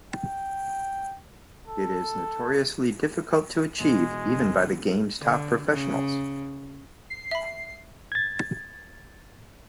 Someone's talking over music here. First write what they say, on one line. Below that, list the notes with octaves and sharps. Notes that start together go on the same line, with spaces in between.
It is notoriously difficult to achieve, even by the game's top professionals.
G5
A4
E2 B2 G#3
F#1 D#2 D4
D3
C#3
C7
E5 B5
G#6 A6